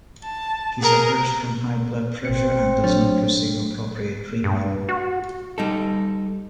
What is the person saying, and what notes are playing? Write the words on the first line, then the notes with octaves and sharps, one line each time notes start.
He suffers from high blood pressure and does not receive appropriate treatment.
A5
G#4 A#4
A1 C4 C#7
F#3 D4 C#5
G2
F#4
G3 D#4 A4